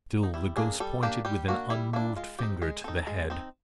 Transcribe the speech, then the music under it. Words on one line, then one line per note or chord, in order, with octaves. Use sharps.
Still the Ghost pointed with an unmoved finger to the head.
D#4
G3 E4
A#3 D4 G#4
G3 A4
A#3 D4 G4
G3 G4
A#3 D4 F#4
G3 E4
A#3 D4 E4
G#3 F4
C4 D#4 G4
G#3 G#4
C4 D#4 A4
G#3
C4 D#4